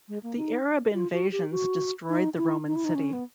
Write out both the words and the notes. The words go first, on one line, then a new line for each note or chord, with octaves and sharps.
The Arab invasions destroyed the Roman city.
G#3
A#3
D#4
F4
F#4
G4
F#4
D#4
E4
D#4
E4
D#4
C#4
B3